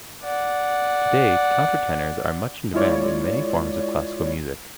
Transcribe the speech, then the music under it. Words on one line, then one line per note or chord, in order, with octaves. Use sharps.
Today, countertenors are much in demand in many forms of classical music.
D5 F#5
G#3 E4 F4 C#5 D5